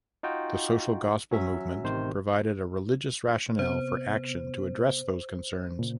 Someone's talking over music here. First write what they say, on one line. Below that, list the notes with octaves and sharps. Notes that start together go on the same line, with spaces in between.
The social gospel movement provided a religious rationale for action to address those concerns.
D#4 F4 F#4 G5
F#3 C#4 E5
A1 C3 D#3 C5
C3 B3 C5
A#2 C#3